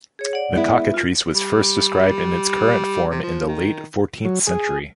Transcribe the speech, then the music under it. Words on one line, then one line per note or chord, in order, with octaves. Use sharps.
The cockatrice was first described in its current form in the late fourteenth century.
G#4 C#5
D5 F#5
G#3 B3 E4
F4
G3
C3
F3
D#3
F#3
G#4